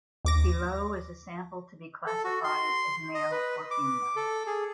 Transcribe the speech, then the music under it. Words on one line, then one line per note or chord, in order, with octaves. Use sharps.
Below is a sample to be classified as male or female.
D#2 D6 A#6
A4
F#4
C6
D#5
B4
D6
A4
G#4